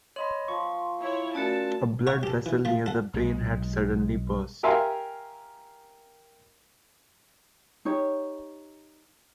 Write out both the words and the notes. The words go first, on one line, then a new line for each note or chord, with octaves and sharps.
A blood-vessel near the brain had suddenly burst.
C#5 D#5 B5 C6
F3 C#6
E4 C#5
A3 C#4 F#4 A#4 D5 A5
C#5 F#5 C#6
G4 A4
E3
A3 F4
A4 F#5
B1 G#3
G4 A#4 E5 F5 G#5 C6
D#4 G4 C#5